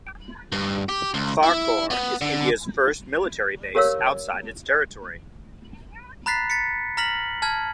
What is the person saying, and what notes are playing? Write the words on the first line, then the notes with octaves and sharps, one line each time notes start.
Farkhor is India's first military base outside its territory.
G2
G4
C#2
E4
B3
D3
G4 A#4 C#5 F5 E6
A#5 B5 F#6 A6 B6 C7
A6 B6 C#7
A#5 F6 A#6 B6 F#7
A5 F6 G#6